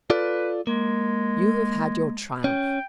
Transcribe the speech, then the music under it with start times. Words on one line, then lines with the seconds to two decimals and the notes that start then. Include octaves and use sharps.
"You have had your triumph."
0.10 F4 A4 B4 D5
0.67 G#3 A#3
2.44 C#4 G5